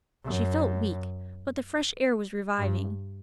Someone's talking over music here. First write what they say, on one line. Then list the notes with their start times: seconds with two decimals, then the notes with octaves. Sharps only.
She felt weak, but the fresh air was reviving.
0.24 F#2
2.59 G2